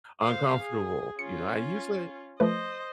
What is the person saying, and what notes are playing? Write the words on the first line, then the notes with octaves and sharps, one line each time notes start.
uncomfortable. You know, I usually
C5 F5
G#4
C#4 F4 C#7
F3 A3 B4 C5 D#5